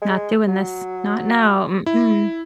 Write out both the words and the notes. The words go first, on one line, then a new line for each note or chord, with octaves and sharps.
Not doing this. Not now. Mm-mm.
G#3
F#3
E4